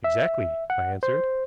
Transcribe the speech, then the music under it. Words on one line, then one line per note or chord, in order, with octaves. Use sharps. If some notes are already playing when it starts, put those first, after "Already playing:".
"Exactly," I answered.
E5
F#5
C5